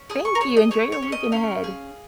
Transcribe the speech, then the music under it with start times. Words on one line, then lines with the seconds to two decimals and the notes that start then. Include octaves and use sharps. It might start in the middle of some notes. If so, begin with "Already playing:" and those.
Thank you. Enjoy your weekend ahead.
Already playing: C#4
0.10 G#4 D#6
0.25 C#6
0.35 A#4
0.41 G#4 C#5
0.57 D#5
0.71 G#4 C#5
0.92 C#5
1.02 C#4
1.12 D#5
1.32 C#4 F5
1.64 G#4